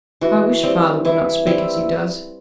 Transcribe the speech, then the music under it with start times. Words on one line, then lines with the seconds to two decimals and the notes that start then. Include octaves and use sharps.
'I wish father would not speak as he does.
0.21 E3 F#4
0.63 G3 C4
1.05 E3 E4
1.47 G3 C4 E4